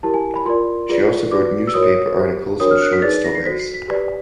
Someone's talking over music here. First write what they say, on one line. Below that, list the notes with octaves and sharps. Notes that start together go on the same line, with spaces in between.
She also wrote newspaper articles and short stories.
E4 G4 A#4 A5
G#5
B5
F4 A#4 D5 C6
F4 G#4 B4 D5
F#4 B4 D5 D6
E6
F#4 A#4 C#5 D#6
G4 C5
D4 F#4 A#4 C#5 D#6
F6
F#6
B6
D#4 G#4 B4 D5 A6
A#6
C7
F#4 A4 C5 B6
C7
B6
G4 B4 D5